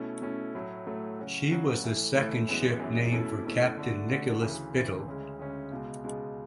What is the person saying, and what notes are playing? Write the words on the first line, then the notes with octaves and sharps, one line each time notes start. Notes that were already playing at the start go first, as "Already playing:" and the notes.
She was the second ship named for Captain Nicholas Biddle.
Already playing: B2 A3 C#4 E4
B2 A3 C#4 E4
A2 F#3 A3
A2 F#3 A3
C#3 F#3 C#4 F#4
C#3 F#3 C#4 F#4
A2 E3 A3
A2 E3 A3
F#2 E3 G#3 B3
F#2 E3 G#3 B3
B2 A3 C#4 E4
B2 A3 C#4 E4
D3 A3 D4 F#4
D3 A3 D4 F#4
D2 C#3 E3
D2 C#3 E3
D2 C#3 G#3 C#4
D2 C#3 G#3 C#4
C#2 B2 G#3
C#2 B2 G#3